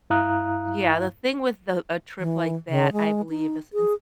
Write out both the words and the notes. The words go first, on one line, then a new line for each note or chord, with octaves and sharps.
Yeah, the thing with the a trip like that, I believe, is ins
G2 E4 F5 A#5 D#6 F#6
E3
C#3
G#3
D#4
G#4